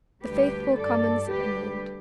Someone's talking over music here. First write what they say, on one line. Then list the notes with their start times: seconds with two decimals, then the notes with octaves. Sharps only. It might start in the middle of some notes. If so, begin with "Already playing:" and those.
"The faithful Commons of England."
0.22 D2 D3 G3 G4 B4
0.76 G2 G3 A4 D5
1.29 D2 D3 G3 G4 B4